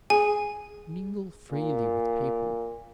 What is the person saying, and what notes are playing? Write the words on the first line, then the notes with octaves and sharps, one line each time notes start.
Mingle freely with people.
G#4 G#5
A#2